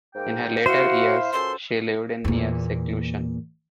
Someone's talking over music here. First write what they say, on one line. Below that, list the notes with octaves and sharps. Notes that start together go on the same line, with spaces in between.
In her later years she lived in near seclusion.
G#2 A#3 G5
E4 F#4 C5 E5 F5
C#2 F#2 A4 C6
E2 A#2